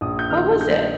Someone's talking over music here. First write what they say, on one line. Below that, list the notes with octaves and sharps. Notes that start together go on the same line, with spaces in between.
What was it?
A#1 D#6
G6
D#3 F6
D#3 G6